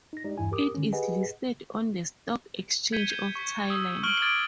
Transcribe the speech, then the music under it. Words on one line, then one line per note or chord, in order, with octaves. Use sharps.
It is listed on the Stock Exchange of Thailand.
D#4 A#6
G#3 D#4 G4 D5
E2 G2 E3 E4 G#5
G4 A#4 D6 D#6
D3 D#3 G#3 C#4
G4 G#4 B4 D#5 F#5 G#5
G6 G#6 B6 C#7 D#7 G7
G6 G#6 E7
C#6 B6
D#6 E6
C#6 F6 D7 F#7 G7
D6 D#6 F6 G#6 A6 D7